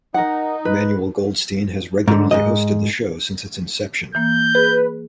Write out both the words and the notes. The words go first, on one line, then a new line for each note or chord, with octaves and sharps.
Emmanuel Goldstein has regularly hosted the show since its inception.
D#4 A#4 F#5
B4
G#2 D3
G#2 D#3 D#5
E3 A#3 G6
G#4 B4